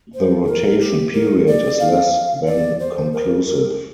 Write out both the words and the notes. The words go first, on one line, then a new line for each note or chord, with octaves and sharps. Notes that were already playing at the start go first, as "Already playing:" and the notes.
The rotation period is less than conclusive.
C5
G4
A#4
G4
A#4
D5
F5
D5
C5
A#4
A#4